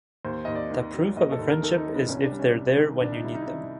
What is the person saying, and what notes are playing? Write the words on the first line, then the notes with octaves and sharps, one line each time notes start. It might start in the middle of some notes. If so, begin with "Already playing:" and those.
The proof of a friendship is if they're there when you need them.
D#2 C5
D#2 D#5
D5
D#3
F#3
D#2 D#5
A4
D#2
A#4
D#3 A4
D#4
F#3
B3
C2 C#4
D4
G3
C#4
C3 C#4
D#3
C2 D4
D#4
G3 E4
D#4
E4
C3 D#4